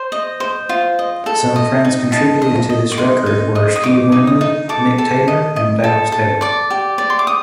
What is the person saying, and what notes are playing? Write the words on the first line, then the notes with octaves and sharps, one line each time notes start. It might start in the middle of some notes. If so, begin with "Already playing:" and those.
Some friends contributing to this record were Steve Winwood, Mick Taylor and Dallas Taylor.
Already playing: C5
D#5
C5
F4
D#5
A4
D#5
D#4
D#4 A5
D#5
D#5
D6
D#4 C6
D#4
D#5
D#6
D#4 D6
D#4
D#6
D#4
A4 D6
A4
D#5
D#5
A4
A4
D5 D6
G4
D5
C6
D6
D#6